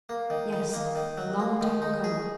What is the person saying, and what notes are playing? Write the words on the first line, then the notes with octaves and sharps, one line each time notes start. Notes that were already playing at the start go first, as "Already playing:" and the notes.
Yes, long-time ago.
A#3
D#3
D#3
A#3
D#3
F#3
A#3
D#3
D#4
G#4